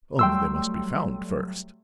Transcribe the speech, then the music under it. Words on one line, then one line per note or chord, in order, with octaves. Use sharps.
Only they must be found first.
F#3 G3 A3 G5 C6 E6